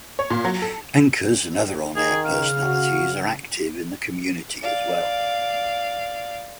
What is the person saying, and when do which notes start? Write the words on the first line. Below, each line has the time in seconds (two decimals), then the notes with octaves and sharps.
Anchors and other on-air personalities are active in the community as well.
0.19 C#5
0.30 A#2
0.45 F#3
0.62 A4
1.96 D#3 G#4
2.26 C#3 F5
2.63 F#4
4.62 D5 F5